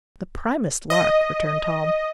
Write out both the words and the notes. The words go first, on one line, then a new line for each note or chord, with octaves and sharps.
"The primest lark," returned Tom.
D#5